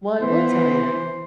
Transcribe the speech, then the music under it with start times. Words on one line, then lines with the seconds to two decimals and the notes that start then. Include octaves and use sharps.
Well, I will tell you,
0.21 E3 B3 C5